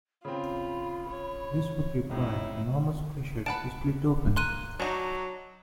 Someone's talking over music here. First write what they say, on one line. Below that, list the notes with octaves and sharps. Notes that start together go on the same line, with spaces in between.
This would require enormous pressure to split open.
C#3 C4 F4 B5
C#5
G#1 C#2 C#3 D#4 E4 C#5
B4 F#5 A5 D7
A#3 C6 F#6 D#7
F#3 D4 D#4